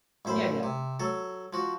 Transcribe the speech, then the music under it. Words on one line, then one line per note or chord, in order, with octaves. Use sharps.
Yeah, yeah.
A1 F#2 C5 B5
C3
F#3 A4
F3 F#4